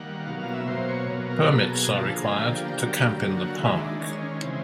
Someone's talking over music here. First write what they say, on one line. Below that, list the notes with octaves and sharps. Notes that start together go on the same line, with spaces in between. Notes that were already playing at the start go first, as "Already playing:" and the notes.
Permits are required to camp in the park.
Already playing: D#3 G3 A#3 F#5
B2 F#3 A#3 F5
F5
E5
B2 F#3 A#3 C5
C#5
B2 F#3 A#3
A#4
B2 F#3 A#3 A4
G#4
D3 F3 A#3 A4
G#4
D3 F3 A#3 G4
D3 F#3 A#3
D3 F#3 A#3
F#4
D#3 G#3 E4
D4
D#3 G#3 C#4
C#4
C#3 E3 G#3 C4